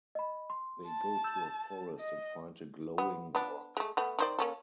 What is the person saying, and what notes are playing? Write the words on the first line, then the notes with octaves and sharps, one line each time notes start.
They go to a forest and find a glowing rock.
D#5 B5
C6
A5
E6 G6 E7
D#5
B3
B3 D4
G#3 A3
A3 B3
D#3 C5 D5
A#3 C#4 A4